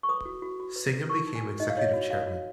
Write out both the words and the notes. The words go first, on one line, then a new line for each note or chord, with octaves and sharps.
Singham became Executive chairman.
C#6
B4 D#6
F#4
F#4
F#4
B4
B4
A#4 C#6
D#4
G#5
F#4
D#4 D#5
F5
C#5 D#5
F#4
F#4 F5
F#4